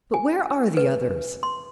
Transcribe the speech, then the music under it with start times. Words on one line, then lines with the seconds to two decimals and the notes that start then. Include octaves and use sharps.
But where are the others?
0.14 G#5
0.77 B4
1.43 C6